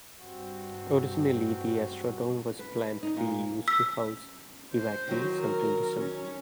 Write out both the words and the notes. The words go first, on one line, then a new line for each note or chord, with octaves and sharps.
Originally, the Astrodome was planned to be used to house evacuees until December.
G2 C4 F#4
B4
D#4
A#2
E6 B6
C5
D#3 F#3
A#4
C#4